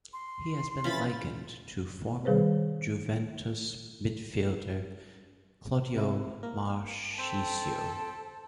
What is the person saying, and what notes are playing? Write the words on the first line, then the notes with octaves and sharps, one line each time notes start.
He has been likened to former Juventus midfielder Claudio Marchisio.
C6
E3 F3 C#4 B5 A6
D#3 G3 G#4 B4 C5
C3 E4
A#3 A#4
C4 A4 G5 E6 B6